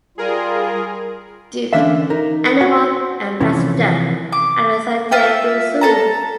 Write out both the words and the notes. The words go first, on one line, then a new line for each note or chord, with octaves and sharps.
Duke; animal ambassador at the San Diego Zoo.
G3 F4 G#4 A#4
D3 E3 C#4 D4 E5 F5
D#4 A#4
F#4 F#5
C3 E3 F3 C#4
D6
F4 E5 G5
A4 A5 A#5